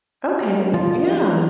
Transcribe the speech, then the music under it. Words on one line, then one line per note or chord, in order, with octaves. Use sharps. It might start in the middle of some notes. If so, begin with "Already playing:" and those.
Okay, yeah.
F3 F4